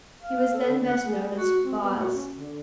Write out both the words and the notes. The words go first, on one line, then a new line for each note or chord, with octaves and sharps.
He was then best known as "Boz."
F5
A4
D3
F#5
G#4
F#4
C4
B3
F#4
C#4
D3